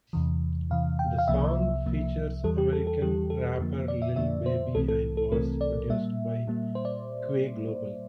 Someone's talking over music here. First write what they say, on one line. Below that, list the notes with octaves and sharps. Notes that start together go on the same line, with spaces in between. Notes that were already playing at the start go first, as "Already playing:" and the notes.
The song features American rapper Lil Baby and was produced by Quay Global.
E2 C3 E3
E2 C3 E3 F5
G5
F5
C2 C3 F3 A#3 E5
C2 C3 F3 A#3
E2 E3 G3 A4
G4
A4
A4
E2 E3 G3 G4
A4
F2 D3 F3 A#3
D5
E5
F2 D3 F3 A#3 E5
C5
C2 C3 E3 A3 C4 A4
A4
A4
C2 C3 E3 A3 C4 A#4
D5
A#2 G3 A#3 E5
A#2 G3 A#3
C5
D5